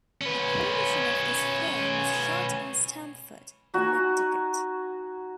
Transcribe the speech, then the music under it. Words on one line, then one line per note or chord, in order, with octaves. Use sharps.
A portion of this film was shot in Stamford, Connecticut.
C#4 B4
D#4 F#4 G#5